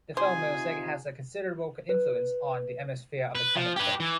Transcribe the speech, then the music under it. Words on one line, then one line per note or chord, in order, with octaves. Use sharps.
The film music has a considerable influence on the atmosphere of the comic book.
C3 D#4 F4 G#4 C5 G#5
B4
B4
F3
G4 B4
E3